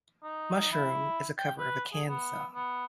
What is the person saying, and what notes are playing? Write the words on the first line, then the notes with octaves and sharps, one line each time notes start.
"Mushroom" is a cover of a Can song.
D#4
E4
G5
B4
G#4
B3
B3